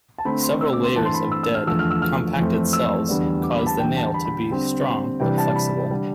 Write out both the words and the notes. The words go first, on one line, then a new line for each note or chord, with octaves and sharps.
Several layers of dead, compacted cells cause the nail to be strong but flexible.
A5
D3 A3 C4 B5
C6
E6
D6
C6
G2 E3 A3 C4 A5
C6
B5
E6
E6
F6
E2 D3 F3 A3 E6
F6
E6
F6
F2 E3 A3 C4
E6
E2 D3 G3 B3 D4
D6
B5
A5
E2 D3 G3 G5
A5
B5
B5
D3 G3 C4
C3 E3 G3 D4 G5
A5
B5
D3 G3 D4